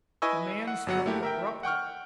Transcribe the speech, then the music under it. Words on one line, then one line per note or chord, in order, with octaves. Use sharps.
The man spoke abruptly.
E4 B4 D#5 G#5 C#6 E6
F#5
G1 F#3 F#5
A3 A#3 E4 G4
A#4 E5 G5
F#5 G5 C#6 F6